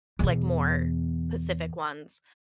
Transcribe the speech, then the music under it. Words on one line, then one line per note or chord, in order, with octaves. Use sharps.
like, more Pacific ones,
E2 B2